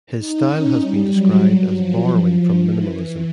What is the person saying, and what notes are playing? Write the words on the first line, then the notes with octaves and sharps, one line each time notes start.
His style has been described as borrowing from Minimalism.
D#4
C#4
G3
F#3
F3
E3